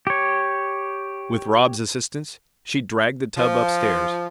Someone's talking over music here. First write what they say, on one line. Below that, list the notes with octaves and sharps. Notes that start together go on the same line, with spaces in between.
With Rob's assistance she dragged the tub upstairs.
G4 C#5
F3